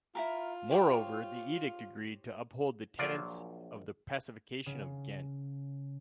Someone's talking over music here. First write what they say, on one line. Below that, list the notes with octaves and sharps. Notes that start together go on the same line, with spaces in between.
Moreover, the edict agreed to uphold the tenets of the Pacification of Ghent.
E4 F4 G4 A#4
G4 C5 C#5
A#1 F#3 F4 D5 F5
C#3